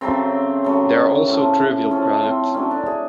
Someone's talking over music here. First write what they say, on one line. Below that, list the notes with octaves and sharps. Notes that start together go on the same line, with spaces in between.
There are also trivial products.
C#3 F#3 A3 C4
C#3 F#3 A3
A2 F3 A3 C#4
A2 F3 A3 C#4
C4
D3 F#3 A3 C#4
D4
G#4